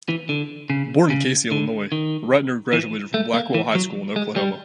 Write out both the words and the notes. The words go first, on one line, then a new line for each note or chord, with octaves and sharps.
Born in Casey, Illinois, Ratner graduated from Blackwell High School in Oklahoma.
E3
D3
C#3
C#3
D3
D#3
E3
A3
A#3
E3
F#3
G#3
G3